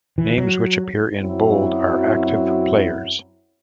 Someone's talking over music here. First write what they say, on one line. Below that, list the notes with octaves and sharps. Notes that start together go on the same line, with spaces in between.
Names which appear in bold are active players.
E3
F#3
F#2 F#3 C4 E4